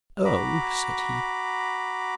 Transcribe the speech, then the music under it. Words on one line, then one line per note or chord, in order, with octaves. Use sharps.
"Oh!" said he.
F#4 A#5 B5 D6